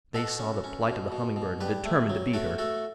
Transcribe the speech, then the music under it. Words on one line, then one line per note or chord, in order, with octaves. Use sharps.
They saw the plight of the Humming-Bird and determined to beat her.
B2 F#4 A4
C#4
C#4
B2
B2
B2
G2 G4 B4
A3
F#3
A3 F#4 A4
A3 F#4 A4